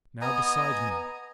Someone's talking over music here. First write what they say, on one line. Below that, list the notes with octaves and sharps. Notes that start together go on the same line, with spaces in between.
Now beside me!
B3 D#5 G#5 A#5